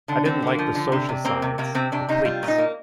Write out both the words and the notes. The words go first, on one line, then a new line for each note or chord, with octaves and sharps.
I didn't like the social sides - the cliques.
D3 D4
D3 C4
D3 A#3
F3
D3
C3 D4
C3
A#3 C4
C3
C3 A#3
C3 C4
C3 D4
C3 D#4
G3 F4
A#2
D#4
A#3